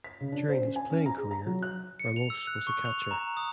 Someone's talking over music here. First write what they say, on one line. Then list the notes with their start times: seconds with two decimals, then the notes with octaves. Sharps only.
During his playing career, Ramos was a catcher.
0.04 B6
0.21 C#3
0.32 D4
0.49 C5
0.63 C#4
0.76 G#5
0.90 C#4
1.06 A#5
1.18 G#4
1.31 A#5
1.46 F#3
1.63 F#6
2.00 C#7
2.16 F7
2.30 E6
2.47 F#6
2.67 C#6
2.85 F7
3.11 A#5
3.37 D#6